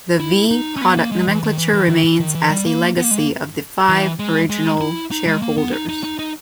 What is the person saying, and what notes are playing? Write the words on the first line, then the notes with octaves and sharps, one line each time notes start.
The "V" product nomenclature remains as a legacy of the five original shareholders.
E4
D#4
C#4
B3
A#3
G#3
E3
D#3
E3
E3
D#3
E3
D#3
E3
G3
A#3
B3
A#3
G#3
A#3
E3
G#3
G#3
E4
D#4
G#3
A#3
B3
D#4
D#4
D#4
D#4